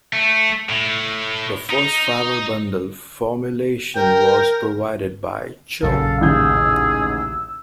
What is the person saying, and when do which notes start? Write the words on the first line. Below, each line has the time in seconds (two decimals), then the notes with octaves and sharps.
The first fiber bundle formulation was provided by Cho.
0.13 A3
0.69 A2
1.70 D#4
3.96 A#4 G5
5.83 A#1 F#2 C#3 A4 F5
6.21 A1 D#2 G#4 E6 G6